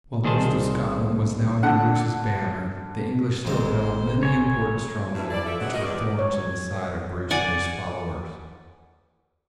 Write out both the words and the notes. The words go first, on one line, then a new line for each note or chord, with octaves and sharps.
While most of Scotland was now under Bruce's banner, the English still held many important strongholds which were thorns in the side of Bruce and his followers.
C2 D#3 G#4 C5 A5
D3 F#5
G#1 F2 C3 D#3 G#3 C4 C5
C#5 G#5
G2 B2 E4
D#2 E3 E4 D5
F3 F4 A4 E5
D2 E3 F#3 G#3 C4 F#5
F#4 A#4 D#5
E2 E3 D5
C#5
D5 F#5 G#5